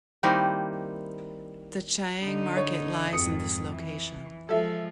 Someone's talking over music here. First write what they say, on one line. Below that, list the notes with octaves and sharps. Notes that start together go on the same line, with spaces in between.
The Chang'an Market lies in this location.
D#3 G3 A#3 C4 D#4 E4
D3 D#4
C#5
F2 G#2 D#6 C#7
E3
F3 G#3 A4 E5